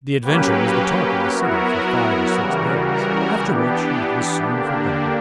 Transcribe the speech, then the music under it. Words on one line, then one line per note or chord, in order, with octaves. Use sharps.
The adventure was the talk of the city for five or six days, after which it was soon forgotten.
F#3 A#3 C#4 G4 B4
G4
F#3 B3 E4 F#4 A#4
F#4 A#4
C#3 E3 G3
F#4 A#4
E3 B3 D4 G4
D3 A#3 D4